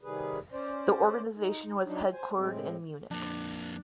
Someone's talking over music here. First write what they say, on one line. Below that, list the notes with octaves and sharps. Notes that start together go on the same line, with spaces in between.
The organisation was headquartered in Munich.
C3 D#3 G3 G#4 B4
C#4 C5 D5
D#4
F#3 D4 D#4
C5 G#5
A2 G#3 C4
F2 A#3 D4